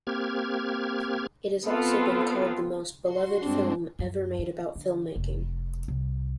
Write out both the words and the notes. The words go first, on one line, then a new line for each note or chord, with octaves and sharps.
It has also been called the most beloved film ever made about filmmaking.
A#3 C4 G4 F6 G#6
B3 C4 F4 A4
F#4 C6
G2 G#3 C4 D4
F#2
D#3
D3
F1
C2